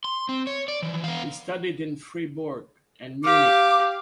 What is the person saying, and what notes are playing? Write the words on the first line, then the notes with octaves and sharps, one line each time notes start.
He studied in Fribourg and Munich.
C6
C4
C#5
D5
E3 F3
B3 F5
G4 F5 D6